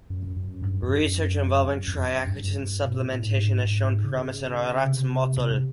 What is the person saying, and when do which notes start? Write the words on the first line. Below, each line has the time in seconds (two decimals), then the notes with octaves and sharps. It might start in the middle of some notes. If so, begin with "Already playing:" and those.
Research involving triacetin supplementation has shown promise in a rat model.
0.10 F#2
0.36 F#2
0.62 G2
0.83 F2
0.89 F#2
1.68 F#2
1.88 F2
2.07 F#2
2.27 G2
2.86 B2
2.98 A#2
3.12 A2
3.25 G#2
3.65 G#2
4.04 C#3
4.83 C3